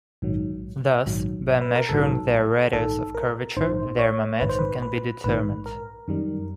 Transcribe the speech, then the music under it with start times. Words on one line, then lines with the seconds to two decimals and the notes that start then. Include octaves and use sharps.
Thus, by measuring their radius of curvature, their momentum can be determined.
0.22 A#1 G#2 D#3 F#3
1.06 A#1 G#2 D#3 F#3
1.61 B4
1.75 A#4
1.89 A#1 G#2 D#3 F#3 A4
2.73 A#1 G#2 D#3 A4
3.15 A#4
3.57 A#1 G#2 D#3 C5
3.99 C#5
4.40 A#1 G#2 D#3 B4
4.49 C5
4.59 B4
4.82 B4
5.24 A#1 G#2 D#3 B4
5.66 A#4
6.08 F#2 D#3 G3